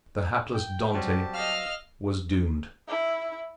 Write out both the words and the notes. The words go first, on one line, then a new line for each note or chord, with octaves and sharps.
The hapless Dantes was doomed.
G5
F#3 G3 C4 G4 A5
D#5 F5 E6 F6
E4